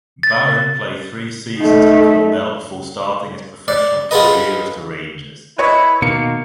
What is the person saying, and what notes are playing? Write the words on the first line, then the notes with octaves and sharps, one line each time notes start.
Barron played three seasons at Cornell before starting his professional career with the Rangers.
A6
A3 D#4
D5
F4 F#4 G#4 A4 B4 D#5
E4 B4 C#5 D#5
B2 D#3 A#3 C#7